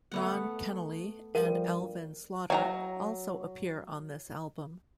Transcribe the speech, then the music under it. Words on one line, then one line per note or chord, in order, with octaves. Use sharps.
Ron Kenoly and Alvin Slaughter also appear on this album.
A3 B3 F#5
G2 F3 G3 A#4
F#3 G#4 A#5